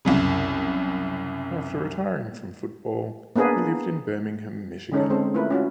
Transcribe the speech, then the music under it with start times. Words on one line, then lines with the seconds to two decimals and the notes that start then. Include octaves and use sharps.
After retiring from football, he lived in Birmingham, Michigan.
0.05 C2 F#2 C#3
3.36 A#3 B3 D4 G#4 B4
4.92 D3 G#3 C#4 D#4 A4 C#5
5.10 G#3 C4 A4 C5
5.34 A3 E4 F4 A#4 B4
5.50 C#4 F4 F#4